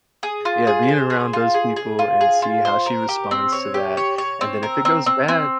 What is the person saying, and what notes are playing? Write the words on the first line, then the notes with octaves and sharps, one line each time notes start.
yeah, being around those people and see how she responds to that, and then if it goes bad
G#4
F4
G#4
C5
G#4
F4
G#4
G#4
F4
G#4
F4
C5
A#4
G4
C4
C#5
G4
C#5
C#5
C4
A#4
C4
C4
C4